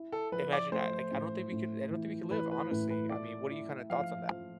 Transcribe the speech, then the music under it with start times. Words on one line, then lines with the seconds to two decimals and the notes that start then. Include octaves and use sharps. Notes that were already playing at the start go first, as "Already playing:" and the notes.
imagine that. Like, I don't think we could I don't think we could live, honestly. I mean, what are your kinda thoughts on that?
Already playing: E4
0.12 A4
0.32 F3 B4
0.52 D5
0.72 A3 C5
1.12 A2
1.52 A2
1.91 E3
2.31 E3 B4
2.51 B4
2.71 A2 B4
2.90 B4
3.10 A3 D5
3.51 E4
3.90 F3 F5
4.30 F3